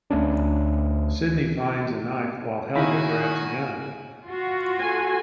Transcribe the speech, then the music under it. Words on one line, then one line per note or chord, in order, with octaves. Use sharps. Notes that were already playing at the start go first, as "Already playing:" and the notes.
Sidney finds a knife while Helga grabs a gun.
D2 A3 C#4 D4
D#3 E4 F#4 G#5 B5
F4 F#4
A4 G#5